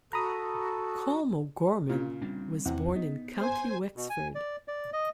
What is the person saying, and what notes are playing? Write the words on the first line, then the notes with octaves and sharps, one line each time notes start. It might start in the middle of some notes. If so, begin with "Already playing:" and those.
Colm O'Gorman was born in County Wexford.
F#4 A4 A#5 B5 D#6
A#2 C#3
G3 C4 D4
E2 C3 E3 F#5
B3 D#4
C5 G#5
B2
G#5
D5
D5
D#5